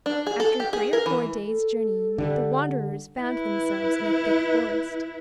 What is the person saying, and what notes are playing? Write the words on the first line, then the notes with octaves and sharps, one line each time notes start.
After three or four days' journeying, the wanderers found themselves in a thick forest.
D4
G#4
A4
G4
G#4
A#4
E3
A4
D3 G3
E4 B4